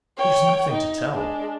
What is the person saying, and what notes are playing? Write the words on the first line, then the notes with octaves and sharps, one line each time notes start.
"There's nothing to tell."
C#5 G5
D#4
G#3 D4